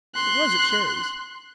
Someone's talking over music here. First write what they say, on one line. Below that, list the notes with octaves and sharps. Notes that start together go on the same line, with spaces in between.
It was at Sherry’s.
C6 F#6